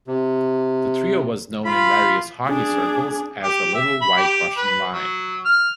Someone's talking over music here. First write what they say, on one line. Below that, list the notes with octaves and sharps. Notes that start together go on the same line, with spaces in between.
The trio was known in various hockey circles as the "Little White Russian" line.
C3
F4 B5
D4 G#4
G4
E5
B5
G4
B4
F#3
F6